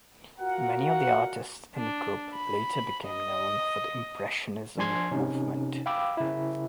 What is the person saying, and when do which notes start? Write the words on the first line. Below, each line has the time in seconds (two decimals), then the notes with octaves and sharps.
Many of the artists in the group later became known for the Impressionism movement.
0.39 F4 F#4 A#4 F#5
1.75 D4
2.36 B5
3.07 D#5
4.77 F3 D4 G#5 C6 G#6 C7
5.12 C3 C#4 D#4
5.86 F5 G5 B5 D6 E6
6.17 C#3 E4